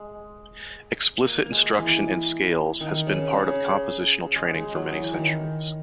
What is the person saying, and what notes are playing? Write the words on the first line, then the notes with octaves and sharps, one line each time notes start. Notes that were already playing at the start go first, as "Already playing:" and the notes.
Explicit instruction in scales has been part of compositional training for many centuries.
Already playing: G#3
A#3
G#3
E3
D#3
C#3
C#3
G#3
G#3
F#3
E3
D#3